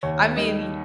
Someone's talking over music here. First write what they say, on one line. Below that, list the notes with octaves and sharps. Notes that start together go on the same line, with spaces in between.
I mean y
D#2 C#5
D#3 G3 D#5